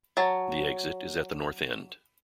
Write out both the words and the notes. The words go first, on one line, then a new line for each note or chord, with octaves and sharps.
The exit is at the north end.
F#3 A5